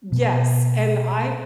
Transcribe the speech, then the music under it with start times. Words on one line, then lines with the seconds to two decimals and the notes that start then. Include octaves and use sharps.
Yes, and I
0.12 B2